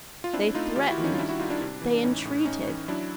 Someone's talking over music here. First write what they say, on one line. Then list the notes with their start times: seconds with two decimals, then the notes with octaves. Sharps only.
They threatened, they entreated.
0.24 F4
0.33 C4 D4 E4
0.54 A3 D#4 F4
0.76 D#3 F4 G4
0.90 E4 F#4
0.98 D#3
1.04 C#4 D#4
1.14 F4
1.18 G3 D4 E4
1.29 E4 F#4
1.40 G3 D#4 F4
1.50 D4 E4
1.61 C3 D4
1.82 E3
1.95 D4
2.03 A2 C#4 D#4
2.25 A2
2.45 C#4 D#4
2.67 E3
2.88 F#3 D4 E4